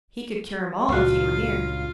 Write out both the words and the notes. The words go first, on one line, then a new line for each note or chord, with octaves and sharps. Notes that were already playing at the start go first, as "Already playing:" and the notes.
"He could cure 'em all if he were here."
C#2 G2 A#2 F4 F#4 F5